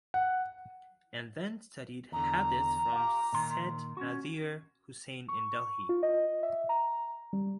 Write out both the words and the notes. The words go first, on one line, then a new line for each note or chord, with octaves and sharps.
And then studied hadith from Syed Nazeer Husain in Delhi.
F#5
E2 D3 A#5
F4 G4
A#2 D#3 C6
C#4 F#4
C#6
F4
D#5
E5
A#5
G3